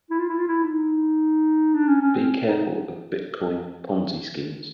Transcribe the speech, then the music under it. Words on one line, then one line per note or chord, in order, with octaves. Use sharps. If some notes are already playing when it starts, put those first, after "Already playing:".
Be careful of bitcoin Ponzi schemes.
E4
F4
E4
F4
E4
D#4
D4
C#4
C#4
C4
D#4